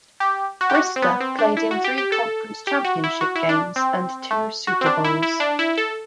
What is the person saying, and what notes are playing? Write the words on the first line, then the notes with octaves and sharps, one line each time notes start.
Brister played in three conference championship games and two Super Bowls.
G4
F#4
G4
F#4
C4
B3
C4
D4
E4
F#4
G4
G4
A4
G4
F#4
E4
F#4
E4
D4
C4
A3
F#4
C4
D4
E4
E4
D4
E4
A4